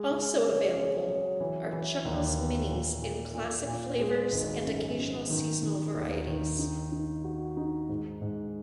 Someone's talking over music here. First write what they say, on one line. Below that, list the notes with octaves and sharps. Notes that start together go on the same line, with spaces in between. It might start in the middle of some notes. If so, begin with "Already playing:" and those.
Also available are Chuckles Minis in classic flavors and occasional seasonal varieties.
Already playing: G#3
C#3
C#4
G#4
F#3
E3
E3
D#2
E3
A#2
A#2
A#2
A#2
G#3
G#1
F#2
F#2
D#3
D#3
D#2
D#3
D#4
D#4
F#4
D#4
G#2
G#2